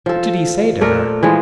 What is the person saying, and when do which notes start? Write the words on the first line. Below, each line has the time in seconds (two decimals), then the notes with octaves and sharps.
What did he say to her?
0.06 F3 A4
0.81 A#2 A3 A4 A#4
1.23 E3 F3 G#3